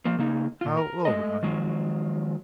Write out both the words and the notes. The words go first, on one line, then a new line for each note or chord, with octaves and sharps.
"How old are you?"
F3 A#3
C#3 A#3 D#4
A#2 F4
A#4
G#3 A3 D#5
D#3 F3 F#3 G#3